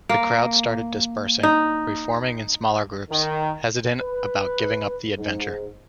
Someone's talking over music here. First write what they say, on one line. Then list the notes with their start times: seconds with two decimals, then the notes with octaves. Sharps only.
The crowd started dispersing, re-forming in smaller groups, hesitant about giving up the adventure.
0.09 A#3
1.43 D#4
3.10 D#3
3.99 B4
5.18 G#2